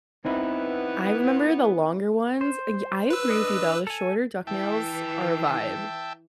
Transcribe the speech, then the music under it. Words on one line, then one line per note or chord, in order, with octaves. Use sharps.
I remember the longer ones y I agree with you, though, the shorter duck nails are a vibe.
E3 B3 C4 D#4 E4
C5
B4 E6
D4 D#5
A4 G#5
E3 E5 G5 A5